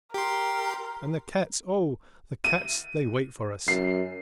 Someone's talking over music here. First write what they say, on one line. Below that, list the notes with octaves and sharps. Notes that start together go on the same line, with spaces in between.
And the cats--oh, the cats they wait for us!
G4 A#4 C6
D#7
F#2 C7